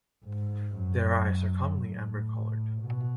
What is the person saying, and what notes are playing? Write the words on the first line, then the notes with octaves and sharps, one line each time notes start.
Their eyes are commonly amber-colored.
G#2
F#2
A2
B2